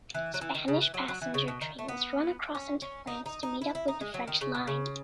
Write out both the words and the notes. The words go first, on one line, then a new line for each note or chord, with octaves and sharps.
Spanish passenger trains run across into France to meet up with the French line.
E3
F#3
E3
D#3
C#3
E3
F#3
F#3
E3
C#3
B2
D#3
A3
B3
C#4
C#4
D#4
D#4
D#4
E4
E4
D#4
G#3
F#3
D#3
C#3
B2
C#3